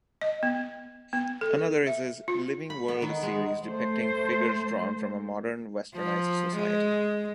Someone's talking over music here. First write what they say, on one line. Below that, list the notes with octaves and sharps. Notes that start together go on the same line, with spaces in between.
Another is his "Living World" series, depicting figures drawn from a modern, westernized society.
D#5
B3
B3
A4
E5
F4
B5
B3
D#3
G#3
A3 C5
F3
G#3